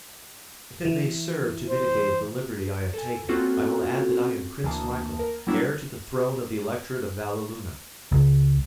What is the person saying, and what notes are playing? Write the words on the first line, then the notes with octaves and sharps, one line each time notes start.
If it may serve to mitigate the liberty I have taken I will add that I am Prince Michael, heir to the throne of the Electorate of Valleluna.
E3
C5
A4 G#5
A#3 C4 C#4 F4 F#4 A4
D2 E3 A#3 A5 D#6
A#4
F#3 G3 A#3 D4 E4
C#2